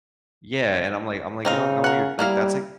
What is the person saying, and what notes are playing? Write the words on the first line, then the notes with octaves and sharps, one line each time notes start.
Yeah, and I'm like I'm like, "You don't know what you're" like, that's, like
C#3 C4 D#4 F5
A#4 F#5
G3 A#3 E4 F5